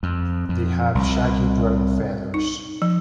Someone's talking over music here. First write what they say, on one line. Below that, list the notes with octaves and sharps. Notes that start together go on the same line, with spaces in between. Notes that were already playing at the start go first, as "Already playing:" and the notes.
They have shaggy brown feathers.
F2
F2
C2
D#4
F3